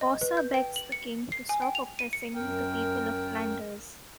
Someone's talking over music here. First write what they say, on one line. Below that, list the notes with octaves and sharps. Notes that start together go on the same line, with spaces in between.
Posa begs the King to stop oppressing the people of Flanders.
D#5
B4
G6
G5
F#7
C#7
C7
G#5
G5
F7
D#7
C#7
F#2 A#4 G5